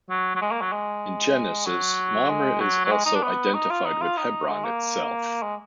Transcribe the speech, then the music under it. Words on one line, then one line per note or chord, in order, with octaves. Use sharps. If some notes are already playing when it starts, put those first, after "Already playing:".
In Genesis, Mamre is also identified with Hebron itself.
F#3
F#3
G#3
A#3
F#3
G#3
F#3
G#3
F#3
F#3
G#3
D#4
D4
B3
D#4
F4
D#4
F4
D#4
G#3
A#3
G#3